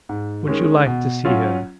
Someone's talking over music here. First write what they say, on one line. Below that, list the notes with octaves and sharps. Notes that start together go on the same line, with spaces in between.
Would you like to see her?
G#2
D#3 G#3 C#4
B2
F#3 C#4 F4